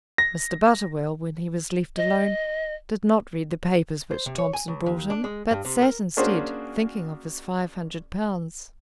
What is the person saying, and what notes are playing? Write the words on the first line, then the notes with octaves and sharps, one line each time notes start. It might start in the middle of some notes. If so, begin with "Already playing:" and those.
Mr. Butterwell, when he was left alone, did not read the papers which Thompson brought him; but sat, instead, thinking of his five hundred pounds.
A#6
D#5
C5
C3
C#5
G#5
C#2
D#2
D4
G#3
G2
C3
A#4
A#3 C#4 D4 F#4 G#4 C5